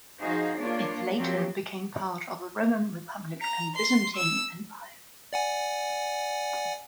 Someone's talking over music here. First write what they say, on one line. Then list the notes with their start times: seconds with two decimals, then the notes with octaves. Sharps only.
It later became part of the Roman Republic and Byzantine Empire.
0.21 F3 D#4 F#4 G#4 C5 F5
0.59 A#3 D4 F4 C#5 D5
1.17 F3 F#3 A#3 C4 F4 G4
3.42 A#5
3.76 C6
4.16 E6
5.33 D5 F#5 G#5